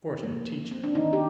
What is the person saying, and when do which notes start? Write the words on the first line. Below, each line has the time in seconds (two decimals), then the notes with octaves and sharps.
Fortunate teacher!
0.23 C3 F3 A3 A#3
0.71 C4
0.84 D4
0.95 D#3 D#4
1.13 G4